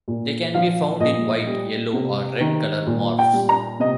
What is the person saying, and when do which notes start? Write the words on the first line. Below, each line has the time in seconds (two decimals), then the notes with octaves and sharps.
They can be found in white, yellow, or red colour morphs.
0.08 A#2
0.54 F3 F5
1.00 A#2 D#5
1.47 G3
1.93 C3
2.40 D#3
2.87 A#2
3.19 G5
3.33 G3
3.49 A#5
3.79 C3 D#5